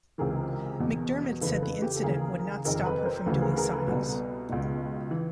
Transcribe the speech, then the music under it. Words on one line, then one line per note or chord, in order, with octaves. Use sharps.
McDermid said the incident would not stop her from doing signings.
C#2 C3 E3 G#4 A#4
E2 B2
F2 C#3 E3 A4 B4
A4 B4
G4 A4
A4
D#2 C#3 E3 G#4 A#4
F2 C3 D#3 G#4 A#4
A4 B4
A#4 C5
D2 C#3 E3 A4 B4
G#4 A#4
B4
G#4 A#4
A4 B4
C2 B2
C#2 B2
E3